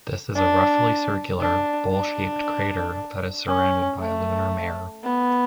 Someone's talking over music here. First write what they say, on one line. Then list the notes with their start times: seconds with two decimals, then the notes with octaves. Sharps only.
This is a roughly circular, bowl-shaped crater that is surrounded by lunar mare.
0.36 D4
1.41 D4
1.92 D4
3.48 C#4
4.00 A3
5.04 B3